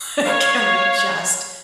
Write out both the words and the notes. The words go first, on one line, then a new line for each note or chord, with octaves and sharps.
Like, can we just
C#5 F5